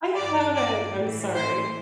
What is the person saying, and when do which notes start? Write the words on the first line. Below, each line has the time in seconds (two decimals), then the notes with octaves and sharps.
I haven't, I'm sorry.
0.15 G2 E3 D5
0.55 D5
0.94 A2 E3
1.35 C5